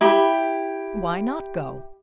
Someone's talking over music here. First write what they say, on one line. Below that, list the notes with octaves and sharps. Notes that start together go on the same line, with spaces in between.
"Why not go?"
E4 G4 B5